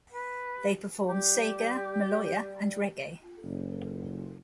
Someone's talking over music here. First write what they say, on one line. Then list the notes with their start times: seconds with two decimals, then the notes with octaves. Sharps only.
They perform sega, maloya and reggae.
0.13 B4
1.09 G3 G4
3.44 F#1